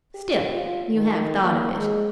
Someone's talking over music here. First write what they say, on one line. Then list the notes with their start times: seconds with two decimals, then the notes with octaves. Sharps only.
"Still, you have thought of it?"
0.14 G4
0.52 F4
0.93 D#3
1.41 A#3
1.78 G#3